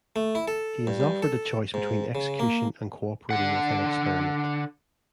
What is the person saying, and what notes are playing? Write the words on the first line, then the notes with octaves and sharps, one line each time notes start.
He is offered a choice between execution and cooperating with an experiment.
A3
E4
A4
G2
G2
A4
G#2
C#3
A#3
D3 F#5